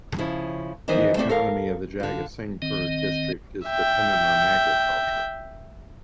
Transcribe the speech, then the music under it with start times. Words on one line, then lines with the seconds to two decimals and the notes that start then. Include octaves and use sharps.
The economy of the Jagatsinghpur district is dependent on agriculture.
0.18 C#3 F3 C#4 E4
0.88 D#3 E3 B3 C5 D#5 E5
1.16 A3 C4 E4 G#4 D5 E5
1.29 A4 A#4 F5
2.00 D3 F4
2.62 D#3 C4 D#5
3.66 E5 G5